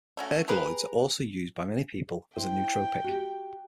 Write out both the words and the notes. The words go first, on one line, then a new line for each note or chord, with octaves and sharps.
Ergoloids are also used by many people as a nootropic.
A3 C#4 F#4
G4 G#4 A#4 B4
E4 C5 G5
F#4 G4